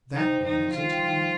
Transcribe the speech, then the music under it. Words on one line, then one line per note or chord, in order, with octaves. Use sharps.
'That one, is it?
C3 D#4
D3
D#3 D#4
F3
D#3 F4
G3
F3
D#3
F3